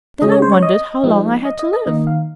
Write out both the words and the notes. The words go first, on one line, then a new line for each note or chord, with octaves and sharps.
Then I wondered how long I had to live.
C#3 G#3 C#4 D#5
C#5
C5
C#5
D#5
F3 G#3 C4 D#4
D#5
D#5
D#5
D#3 A#3 D#4 D#5
F5